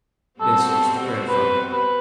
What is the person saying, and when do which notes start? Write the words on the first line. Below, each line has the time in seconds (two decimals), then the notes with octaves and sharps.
This was the grandfather.
0.40 B2 G3 C4 F#4 A4 C5
0.70 A4
1.28 B4
1.72 B4